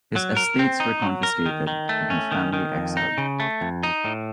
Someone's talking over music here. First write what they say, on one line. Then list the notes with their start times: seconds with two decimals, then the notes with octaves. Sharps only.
His estates were confiscated and his family exiled.
0.16 F#3
0.37 A#4
0.59 C4
0.80 D#4
1.02 F#3
1.23 A#4
1.46 D#3
1.67 D#3
1.89 A3
2.10 C#4
2.32 D#3
2.53 D#3
2.76 F2
2.97 D#4
3.18 C#3
3.40 A3
3.61 F2
3.83 D#4
4.05 A2